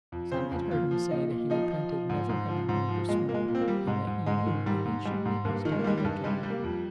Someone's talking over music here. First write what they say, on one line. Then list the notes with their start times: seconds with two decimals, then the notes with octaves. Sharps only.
Some had heard him say that he repented never having learned to swim, and that he knew that he should meet his death by drowning.
0.12 F2
0.32 C#3 C5
0.52 F2
0.71 A#2 F4
0.91 F3
1.11 A#2 D#4
1.31 A#2
1.50 F3 D#4
1.71 F3
1.90 F3
2.09 G#2
2.29 G#2
2.49 F3
2.69 G#2
2.88 F3
3.09 A#2 G#3
3.28 A#2 A#3
3.34 G#3
3.48 A#2
3.55 C4
3.61 A#3
3.68 G3
3.87 G#2 G#3
4.07 G#2
4.26 G#2 G#3
4.46 D#3
4.66 G#2 G3
4.85 G#2
5.05 G3 G#3
5.25 G#2
5.45 G2 A#3
5.65 D#3
5.72 G#3
5.79 A#3
5.84 G3 G#3
5.97 G3
6.05 G2
6.24 G3 G#3
6.43 G3
6.50 A#3
6.63 F2